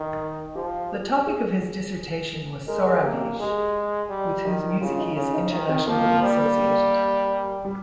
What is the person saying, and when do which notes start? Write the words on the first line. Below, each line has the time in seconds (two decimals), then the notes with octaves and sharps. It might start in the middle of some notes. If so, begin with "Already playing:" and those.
The topic of his dissertation was Sorabji, with whose music he is internationally associated.
Already playing: D#3
0.55 F3 G4
1.27 G#4
2.67 G#3 A#4
2.86 G#4
3.03 A#3 G4
3.21 G4
3.39 G#3 G#4
4.09 G3
4.45 D#3 G4
4.81 C#3 F4
4.98 D#4
5.16 C#3 C#4
5.34 D#4
5.51 D#3 D#4
5.69 C4
5.87 F3 A#3
6.05 A#3
6.23 G3
7.65 G3